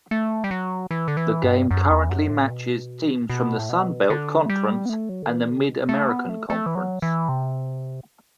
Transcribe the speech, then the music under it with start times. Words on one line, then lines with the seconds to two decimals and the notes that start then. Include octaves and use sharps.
The game currently matches teams from the Sun Belt Conference and the Mid-American Conference.
0.11 A3
0.44 G3
0.51 F#3
0.91 E3
1.08 D3
1.17 E3
1.44 G2
1.71 F#2
1.91 E2
2.10 F#2
2.30 A2
2.50 B2
3.30 B2
3.59 A2
3.69 B2
4.10 D3
4.46 A3
4.50 G3
4.86 B3
4.89 A3
5.09 F#3
5.22 D3
5.29 E3
5.50 D3
5.69 B2
5.89 A3
6.09 B3
6.29 A3
6.50 A3
6.66 E3
6.75 F#3
7.02 E3
7.29 C3